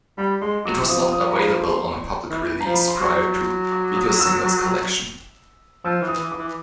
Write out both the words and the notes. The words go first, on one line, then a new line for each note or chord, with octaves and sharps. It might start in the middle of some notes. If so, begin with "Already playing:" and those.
It was not available on a public release prior to "Video Singles Collection".
G3 B5
G#3 C6
F#3 D6
E3
F3 D#6
D#6
A#5
B5
C6
E3
A#5
F3
B5
C6
F#3 C#6
D6
D#6
E6
F3 E6
E3
D#6
E3
D6
E3